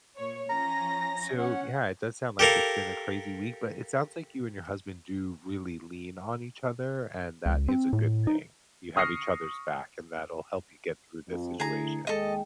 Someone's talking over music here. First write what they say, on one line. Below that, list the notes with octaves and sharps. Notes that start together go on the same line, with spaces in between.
So, yeah, it does sound like it's been a crazy week, but it sounds like you and your husband do really lean on each other, and that is a good thing. You have each other's back, and that'll help you get through this situation.
A#2 C#5
F3 C#4 A#5 A#6
C#4 F#5
G4 A4 A#4 F5
C#2
C4
A2
D#4
C#6 D#6 F6 A#6 C7 C#7
F2
D3 A3 E4 G#4 A#5
D#2 G#3 A4 D#5 G5